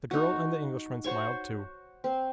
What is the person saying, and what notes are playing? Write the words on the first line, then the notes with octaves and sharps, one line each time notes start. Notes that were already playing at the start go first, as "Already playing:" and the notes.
The girl and the Englishman smiled too.
D#4 F#4
F#4 C5 C#5 C#6
C4